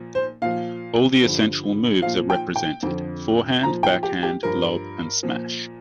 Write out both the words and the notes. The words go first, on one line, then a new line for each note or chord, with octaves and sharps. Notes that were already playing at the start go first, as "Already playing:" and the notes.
All the essential moves are represented: forehand, backhand, lob, and smash.
Already playing: A#2 F3
C5
A#2 F3 F5
G2 D3 F3
A#2 F3 F5
G5
G5
F2 D3 F3
A#2 F3 A#5
G5
G4
G4
G2 F3 A#4
A#2 F3